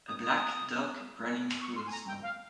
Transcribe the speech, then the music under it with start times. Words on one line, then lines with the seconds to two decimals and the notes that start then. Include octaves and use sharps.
A black dog running through the snow.
0.08 D#6
0.23 D#6
1.61 C#6
1.76 C6
1.87 G#5
1.92 A#5
2.07 G5
2.23 F5